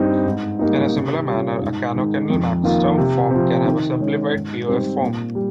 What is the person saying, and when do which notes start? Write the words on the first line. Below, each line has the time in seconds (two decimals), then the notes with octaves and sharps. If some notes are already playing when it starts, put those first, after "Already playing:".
In a similar manner, a canonical maxterm form can have a simplified PoS form.
Already playing: G2 G3 C4 D#4
0.26 G#2
0.59 G3 A#3 D#4
0.94 C3
1.28 G3 C#4 F4
1.61 G#2
1.96 D#3 G#3 D#4
2.30 F2
2.63 D#3 A#3 F4
2.98 C3
3.31 F3 C4
3.65 D#3
4.00 G#3 C#4
4.33 G#2
4.67 G3 C4 D#4
5.01 A#2
5.35 G3